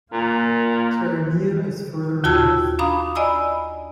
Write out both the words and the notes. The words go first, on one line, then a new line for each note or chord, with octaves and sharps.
Karamea is further north.
A#2 A#3
D#2 F4 F#4 A5 E6 G#6
D4 F5 A#5 B5 D#6
D5 D#5 G#5 B5 E6